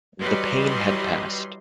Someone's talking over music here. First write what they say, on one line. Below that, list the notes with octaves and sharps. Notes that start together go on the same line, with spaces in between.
The pain had passed.
E3 F#3 G3 B4 D#5 C6